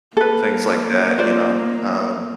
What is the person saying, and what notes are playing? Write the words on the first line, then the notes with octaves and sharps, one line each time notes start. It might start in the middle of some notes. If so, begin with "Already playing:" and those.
things like that, you know, um,
A#3 A4 B4
F4 C5 D5